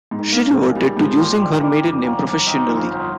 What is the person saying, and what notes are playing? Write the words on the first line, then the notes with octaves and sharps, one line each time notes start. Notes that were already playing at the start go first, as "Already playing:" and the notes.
She reverted to using her maiden name professionally.
G#2
D#3
A#3
C#3
A#1
C#3 G3
G#2 F3
F3
G3 A#3
A#1 G3
D#3 G3 A#3
F2
G1 A#3 C#4
G1
D#3 C4 D#4
F2
C#4 F4
G1